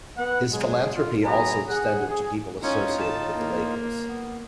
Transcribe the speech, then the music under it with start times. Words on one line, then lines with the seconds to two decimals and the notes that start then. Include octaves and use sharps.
His philanthropy also extended to people associated with the Lakers.
0.17 B3 F#5
0.52 F#3 G#3 G#4
0.95 F4
1.24 B2 F#3 G#4 B4 G#5 A#5
1.68 G#4 F#5
2.07 G#4
2.62 A2 C#4 D#4 F4
3.00 A5
3.36 A#3
4.08 B3